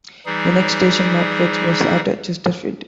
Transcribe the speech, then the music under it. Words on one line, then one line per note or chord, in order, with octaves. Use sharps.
The next station northwards was at Chesterfield.
E3 G3 D#4 G#4